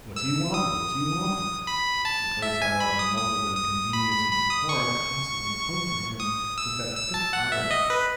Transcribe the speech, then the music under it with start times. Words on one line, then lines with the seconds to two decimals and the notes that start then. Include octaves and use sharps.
"What do you offer, what do you offer?"--the place, however muffled in convenience and decorum, constantly hummed for him with that thick irony.
0.16 E6
0.54 D#6
1.67 B5
2.05 A5
2.42 E5
2.62 G#5
2.80 B5
2.99 D#6
3.18 D#6
3.56 D#6
3.93 B5
4.12 B5
4.31 B5
4.50 D#6
4.69 C#6
6.20 D#6
6.58 E6
6.96 E6
7.14 A5
7.33 F#5
7.52 E5
7.71 D#5
7.90 B4